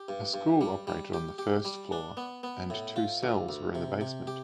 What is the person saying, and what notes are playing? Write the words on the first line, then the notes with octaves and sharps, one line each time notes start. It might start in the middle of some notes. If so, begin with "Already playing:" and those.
A school operated on the first floor, and two cells were in the basement.
Already playing: G4
G2
G2
G3
G3
G4
G4
G3
D4
B3
B3
A2
F4
D2
D2
C3
C3
G4